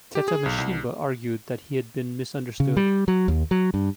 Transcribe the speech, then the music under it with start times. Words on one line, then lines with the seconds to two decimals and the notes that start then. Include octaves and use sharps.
Tetamashimba argued that he had been misunderstood.
0.15 G4
0.28 G#4
0.46 B1
0.58 C2
2.60 C#3
2.77 G3
3.08 F#3
3.28 D#2
3.51 F#3
3.74 G2